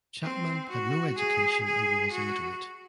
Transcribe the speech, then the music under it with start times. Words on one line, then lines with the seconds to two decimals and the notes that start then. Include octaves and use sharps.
Chapman had no education and was illiterate.
0.23 C4
0.69 F#4
1.18 G#4
1.65 G#4
2.12 F#4